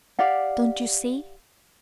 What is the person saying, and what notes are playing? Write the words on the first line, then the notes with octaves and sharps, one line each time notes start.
Don't you see?
G4 D5 F5 F#5